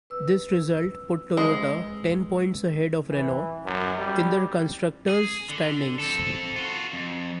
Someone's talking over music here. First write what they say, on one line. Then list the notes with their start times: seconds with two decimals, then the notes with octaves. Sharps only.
This result put Toyota ten points ahead of Renault in the constructors' standings.
0.10 B4 E6
1.37 G#3
3.10 E3
3.65 F#2
3.98 G3
5.09 G#4
5.50 D3
6.00 C4 A4
6.56 F4 F#4
6.93 F2